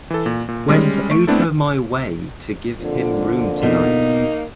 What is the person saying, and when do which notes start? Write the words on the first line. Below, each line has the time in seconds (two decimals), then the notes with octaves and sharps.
Went outta my way to give him room tonight.
0.10 E3 A4
0.26 A#2
0.48 A#2
0.68 G3 G#3 C#4
1.11 A3 C#6 D7
1.27 A3 B3 C4 D4 E4 A4
2.79 F2 A#2 D3
3.63 B2 A#3 D#4